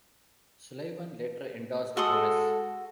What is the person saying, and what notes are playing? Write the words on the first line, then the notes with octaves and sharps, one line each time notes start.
Sullivan later endorsed Gomez.
G#3 F#4 A4 C6 D#6